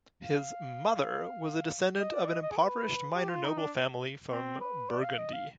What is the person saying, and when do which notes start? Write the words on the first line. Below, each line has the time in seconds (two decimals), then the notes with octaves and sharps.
His mother was a descendant of an impoverished minor noble family from Burgundy.
0.24 F5
1.99 D#5
2.14 D5
2.28 D#5
2.43 D#5
2.51 G#4
2.57 B4
3.15 G4
3.29 F4
3.44 D#4
3.58 D4
4.31 C4
4.61 B4
4.89 D5
5.04 F5
5.18 D#5
5.33 F5